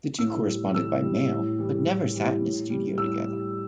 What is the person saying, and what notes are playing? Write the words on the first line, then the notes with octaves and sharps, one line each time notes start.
The two corresponded by mail but never sat in a studio together.
A2 E6
G3
A2 E6
G3
A2
E3 G3
A2
E3 G3
A2
G3
A2 E6
G3